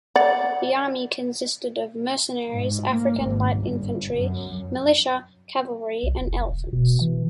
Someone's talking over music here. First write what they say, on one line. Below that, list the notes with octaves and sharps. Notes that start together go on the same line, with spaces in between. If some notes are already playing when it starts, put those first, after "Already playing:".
The army consisted of mercenaries, African light infantry, militia, cavalry, and elephants.
D5 F#5
G#2
A#3
G#1
G1
F#2
B1
F1
D#1
B2
E3